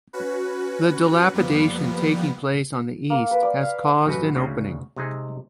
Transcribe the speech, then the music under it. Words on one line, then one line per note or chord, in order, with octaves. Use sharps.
The dilapidation taking place on the east, has caused an opening.
C#4 F#4 B4
F2 F3 G3 A#3 B3
A#3
B4
D5
F5
A1 F#2 F#4 B4
D2 G#2 C#3
C3 G#3 D#4 G#4